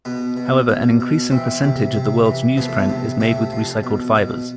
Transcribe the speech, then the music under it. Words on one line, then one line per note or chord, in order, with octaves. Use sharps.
However, an increasing percentage of the world's newsprint is made with recycled fibers.
B2 B3
B2
B2
B2
E3 C4
C3
C3
E3
F3 B3
A3
B3
C3
C3 A3
F3
B2
B2